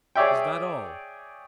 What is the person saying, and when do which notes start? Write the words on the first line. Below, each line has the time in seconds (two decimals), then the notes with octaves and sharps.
"Is that all?"
0.15 G#4 C#5 D5 E5 G5